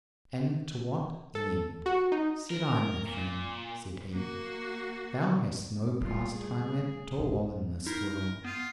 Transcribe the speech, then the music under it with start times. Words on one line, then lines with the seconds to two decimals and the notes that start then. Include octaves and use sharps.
And to what end? said I. My friend, said he, thou hast no pastime at all in this world.
1.35 A4
1.86 F#4
2.12 D#4
2.50 A#4
3.07 A#2
4.12 A#3 F#4
6.01 G2 A3 C4 F4
6.34 G#4
7.17 A#1 F4
7.87 D#4 E4 A#4
8.44 B3 F4 D#7